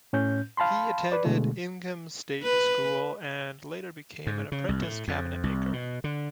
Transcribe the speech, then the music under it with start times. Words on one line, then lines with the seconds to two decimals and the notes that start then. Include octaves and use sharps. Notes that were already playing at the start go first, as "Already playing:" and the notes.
He attended Ingham State School and later became an apprentice cabinet-maker.
0.13 A2 C#4 G6
0.57 F5 A5 B5 C6
1.12 B4 D5
1.25 B2 D3 G#3 A3
2.43 B4
4.27 G#2
4.52 C#3
4.69 C2
4.81 A2
5.08 F2
5.44 C2
5.73 B2
6.04 D3